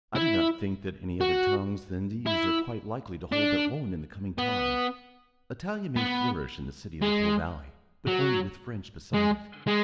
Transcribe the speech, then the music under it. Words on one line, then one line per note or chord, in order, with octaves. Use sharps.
I do not think that any other tongues than these are quite likely to hold their own in the coming time. Italian may flourish in the city of the Po valley, but only with French beside it.
E4
F#4
E4
D4
B3
B3
G#3
F#3
G#3
G#3